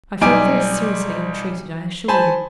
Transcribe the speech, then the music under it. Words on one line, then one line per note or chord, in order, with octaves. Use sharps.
I feel very seriously ill-treated, I assure you.
B1 G3 D#4 G#5 D6 D7
C5 G#5 A5 B5